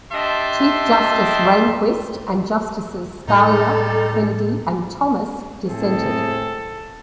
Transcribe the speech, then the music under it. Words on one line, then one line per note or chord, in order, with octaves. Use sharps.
Chief Justice Rehnquist and Justices Scalia, Kennedy, and Thomas dissented.
D4 G4 D#5 E5 A5 C6
A2 G3 D#4 A4
A2 C4 G#4 A4